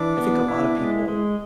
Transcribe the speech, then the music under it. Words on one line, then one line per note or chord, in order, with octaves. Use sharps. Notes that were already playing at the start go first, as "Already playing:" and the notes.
I think a lotta people,
Already playing: E3 D4
B3
E4
G#3
G#3